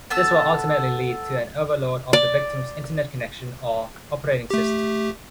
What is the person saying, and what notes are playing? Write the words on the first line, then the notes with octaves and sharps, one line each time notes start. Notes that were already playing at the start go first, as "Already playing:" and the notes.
This will ultimately lead to an overload of the victim's internet connection or operating system.
B3 A4 E6
D5
A3 G4